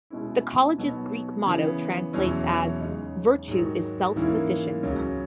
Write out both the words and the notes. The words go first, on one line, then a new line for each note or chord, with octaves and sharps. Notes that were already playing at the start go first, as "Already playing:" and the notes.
The college's Greek motto translates as "virtue is self-sufficient".
B2 G#3 C#4 E4
B2 F#3 B3 D#4
C#3 E3 B3
E2 B2 F#3 C#4 E4
C#3 G#3 D#4
G#2 D#3 F#3
G#2 E3 A#3 C#4 E4
C#2 C#3 F#3